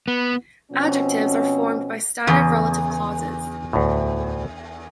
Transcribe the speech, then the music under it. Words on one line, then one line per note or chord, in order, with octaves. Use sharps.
Adjectives are formed by stative relative clauses.
B3
B2 F3 C4 C#4
E2 C#3
D2 A2